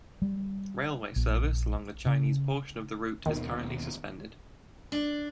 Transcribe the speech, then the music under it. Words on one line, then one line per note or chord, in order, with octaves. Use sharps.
Railway service along the Chinese portion of the route is currently suspended.
G3
A#1
C#3
D#2 B2 D#3
D4